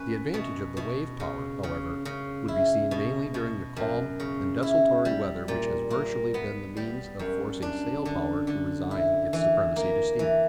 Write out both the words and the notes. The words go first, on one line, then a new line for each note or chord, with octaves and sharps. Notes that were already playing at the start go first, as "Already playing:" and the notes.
The advantage of the wave-power, however, would be seen mainly during the calm and desultory weather which has virtually been the means of forcing sail-power to resign its supremacy to steam.
Already playing: C#4 B4
B2
B2
C#3
C#3
C#3
E4
B2
B2
F#2
C#3
E4
G3
A#2
A#3
B3
G3
F#2
D4
D3
D3
E4
E3
A#3
E3